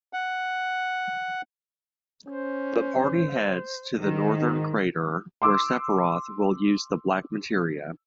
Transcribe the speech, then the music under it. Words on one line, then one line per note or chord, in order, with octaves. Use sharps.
The party heads to the Northern Crater, where Sephiroth will use the Black Materia.
F#5
C#4 C5
G#2 D#3
C6 D6 E6